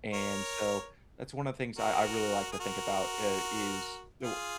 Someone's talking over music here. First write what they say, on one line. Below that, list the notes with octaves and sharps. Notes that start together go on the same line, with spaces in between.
And so, that's one of the things I I really like to think about, uh, is the
A#4 C#5
F#4 A#4
G#4
F#4 A#4
F4 G#4